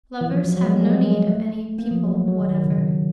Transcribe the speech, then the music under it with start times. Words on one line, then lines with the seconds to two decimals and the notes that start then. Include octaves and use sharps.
Lovers have no need of any people whatever.
0.21 E3
0.31 F3
0.45 F#3
0.56 F#3
0.62 G#3
0.69 G3
0.81 G#3
1.05 G#3
1.30 A3
1.79 A#3
1.91 F3
2.04 F#3
2.15 F#3
2.28 F#3
2.40 D#3
2.53 D#3
2.66 C#3
2.78 C3